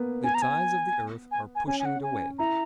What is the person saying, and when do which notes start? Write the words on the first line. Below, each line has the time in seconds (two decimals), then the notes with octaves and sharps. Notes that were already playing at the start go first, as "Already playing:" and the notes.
The tides of the earth are pushing it away.
Already playing: A#3 B3
0.24 B3 G#5
0.34 A#5
0.42 G#5
1.31 G#5
1.55 G#5
1.67 C#4 G#5
1.80 G#5
1.85 F#5
2.03 G#5
2.38 E4 A#5